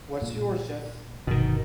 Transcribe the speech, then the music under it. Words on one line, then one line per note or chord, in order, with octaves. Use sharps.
What's yours, Jeff?
A#2
G1 B2 D#3